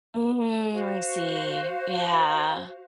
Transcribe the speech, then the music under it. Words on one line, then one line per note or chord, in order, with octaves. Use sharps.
Mhm, I see, yeah.
F#4 C5 F5